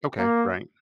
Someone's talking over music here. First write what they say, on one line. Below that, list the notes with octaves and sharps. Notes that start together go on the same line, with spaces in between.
Okay. Right.
A#3